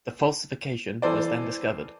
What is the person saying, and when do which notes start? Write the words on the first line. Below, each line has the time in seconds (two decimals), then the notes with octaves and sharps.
The falsification was then discovered.
1.02 E3 A4 C5 D5